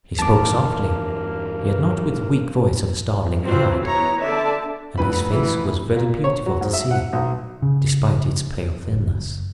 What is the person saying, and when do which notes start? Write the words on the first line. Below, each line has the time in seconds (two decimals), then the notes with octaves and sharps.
He spoke softly, yet not with the weak voice of a starving lad; and his face was very beautiful to see, despite its pale thinness.
0.19 E2 G2 A#3 A5 D6
3.46 E3 F#3 C4 F4
3.86 B3 E4 C#5 A#5
4.22 D3 D5 E5 A5
4.97 F1 B4 B5
5.30 E3
5.96 A#2
6.24 C#5
6.46 F#3
6.61 G#2
6.73 E5
6.91 F#5
7.13 B1
7.62 C#3
8.91 F#1